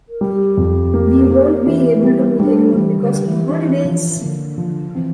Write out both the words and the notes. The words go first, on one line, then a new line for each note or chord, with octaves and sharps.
We won't be able to meet anyone because of the holidays.
A#4
G3
G4
F2
A#3
A#3
E3
G3
G3 D4
E3 G3
D3
G4
E3
E3 D4
F3
D3 A#3
F3
E3 C4